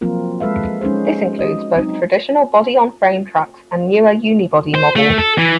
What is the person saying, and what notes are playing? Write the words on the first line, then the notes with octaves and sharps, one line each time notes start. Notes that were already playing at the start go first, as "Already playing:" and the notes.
This includes both traditional body-on-frame trucks and newer unibody models.
F3 F#3 A#3 C4 F4 A#4
G#3 A4 B4 E5 F5
G#3 C#4 D#4 G#4 C5
D#5
F#3 C4 D#4
C5
A3
A4
E3